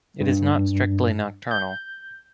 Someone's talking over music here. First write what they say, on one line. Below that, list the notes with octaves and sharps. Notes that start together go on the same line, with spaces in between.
It is not strictly nocturnal.
G2
G6